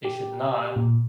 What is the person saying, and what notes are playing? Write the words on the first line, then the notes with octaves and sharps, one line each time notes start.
they should not
G4
A#2